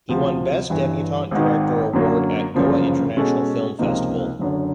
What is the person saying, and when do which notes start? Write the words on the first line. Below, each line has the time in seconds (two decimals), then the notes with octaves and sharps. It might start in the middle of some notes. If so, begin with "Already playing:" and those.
He won best debutant director award at Goa International film festival.
0.09 D2 C3 F3
0.70 G1 G2 E3
1.31 G#1 G#2 D#3
1.93 F#2 D3 F#3 A#3
2.54 G1 F#2 C#3 F3 A#3
3.17 B2 G#3 C#4 F#4 A4
3.79 C#2 C3 F3 A#3 D#4
4.39 F#1 F#2 D3